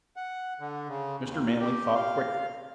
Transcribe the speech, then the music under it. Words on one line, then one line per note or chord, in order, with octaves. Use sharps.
Mr. Manley thought quickly.
F#5
D3
C#3
D#2
G4
F5